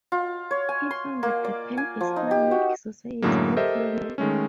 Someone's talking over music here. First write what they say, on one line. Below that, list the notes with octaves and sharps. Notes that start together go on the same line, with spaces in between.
He founded the Pan Islamic Society of London.
F4
C#5
G#5
C6
A#3
D5
G#5
F3
D#4
G4
F#4
F#2 A2 D3 F#3 G#3 A#3
G4 A4 A#4 C5 D#5 E5
D#3 G#3 A3 C#4